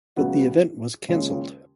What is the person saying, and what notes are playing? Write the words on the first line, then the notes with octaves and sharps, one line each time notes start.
But the event was canceled.
C#2 C#3 F#3 B3 F#4
D#2 C#3 G#3 C#4 F4